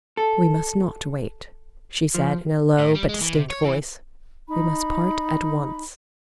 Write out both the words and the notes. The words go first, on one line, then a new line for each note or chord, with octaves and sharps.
"We must not wait," she said, in a low but distinct voice; "we must part at once."
A4
F3
A2
G3
G#3
E3
C3
C#5
E3
D#4 B5